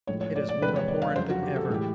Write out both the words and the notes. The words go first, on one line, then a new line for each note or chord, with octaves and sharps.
It is more abhorrent than ever.
A2 F3 G#3 C#5
C#5
D5
D5
E2 C3 F3 G#3 B4
C#5
D5
F5
F2 C#3 F#3 C5
F#4
G4
A4
G#4
A2 E3 G#3 G4